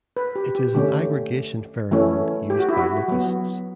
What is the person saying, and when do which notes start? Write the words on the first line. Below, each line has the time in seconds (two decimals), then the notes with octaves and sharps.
It is an aggregation pheromone used by locusts.
0.17 B4
0.36 G4
0.55 G4
0.75 D3 A3 C#4 G4
1.91 E3 A3 C#4
2.50 G4
2.59 F#4
2.69 E4
2.78 F#4
3.08 F#3 B3